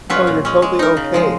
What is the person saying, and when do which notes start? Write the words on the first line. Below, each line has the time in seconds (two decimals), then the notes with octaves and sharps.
Oh, you're totally okay.
0.10 F#3 C#4 F4 B4
0.27 A#2
0.45 G#3 C#4
0.62 G#3
0.79 D#4 A#4
0.97 C#3
1.14 F3 G#3